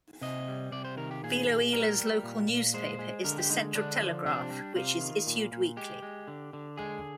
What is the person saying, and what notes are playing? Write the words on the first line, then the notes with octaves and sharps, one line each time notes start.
Biloela's local newspaper is the "Central Telegraph" which is issued weekly.
C3 D#5
G3
C3 D5
C5
D#3 A#4
G4
A#2 G#4
A#2
G3 A#4
G3
A#2
A#2
G#3 C5
G#3
D3 A#4
G4
G#3 D#4
D3 D4
F3
C3 D4
G3
C3 F4
D#3
A#2
A#2
G#3 G4
G#3
D3
D3
G#3 G#4